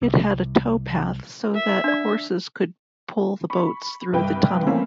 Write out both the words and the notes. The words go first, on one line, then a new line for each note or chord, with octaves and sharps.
It had a towpath so that horses could pull the boats through the tunnel.
C2
E5
D4 D5
B5 C#6
C2 G2 B4 G5
E3 A3 A#3 C4 C#4 E4